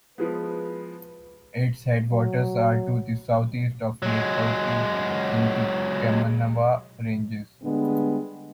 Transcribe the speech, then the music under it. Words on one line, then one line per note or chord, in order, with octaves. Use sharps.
Its headwaters are to the southeast of Lake Taupo in the Kaimanawa Ranges.
F3 G#3 B3 B4
F#3
F#3 G#3
D3 G3 G#3 B3